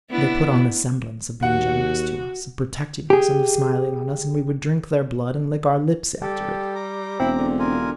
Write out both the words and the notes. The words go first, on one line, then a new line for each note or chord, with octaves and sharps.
They put on the semblance of being generous to us, of protecting us, and of smiling on us, and we would drink their blood and lick our lips after it!
B3 D4 E4
D#2 F#4 F#5
G4 G#4
G3 G4 A4
A#5 D6
E1 C4 E4
D3
F4 A#4 G#5